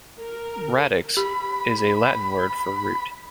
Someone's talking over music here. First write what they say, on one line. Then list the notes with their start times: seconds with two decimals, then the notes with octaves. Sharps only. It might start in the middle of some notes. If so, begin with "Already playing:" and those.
"Radix" is a Latin word for "root".
0.19 A#4
1.17 G4 B5